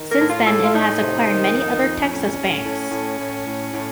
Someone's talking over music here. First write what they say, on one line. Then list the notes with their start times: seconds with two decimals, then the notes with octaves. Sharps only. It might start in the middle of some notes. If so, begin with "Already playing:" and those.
Since then it has acquired many other Texas banks.
Already playing: D#3
0.09 A#4
0.19 A2
0.28 F4
0.46 A2 A4
0.64 F4
0.73 A2 D#4
1.01 C3
1.28 D#3
1.54 F2
1.82 F2
2.09 A2 C#4
2.37 A2
2.64 A2
2.91 A2
3.19 A2
3.46 A2
3.73 A2